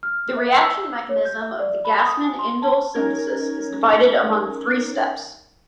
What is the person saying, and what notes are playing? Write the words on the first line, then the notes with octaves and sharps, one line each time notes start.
The reaction mechanism of the Gassman indole synthesis is divided among three steps.
F6
E5
E6
C#5
G6
E5
D5
B5
D#6
G#5
C6
A5
C#4 D#4 A#4 G#6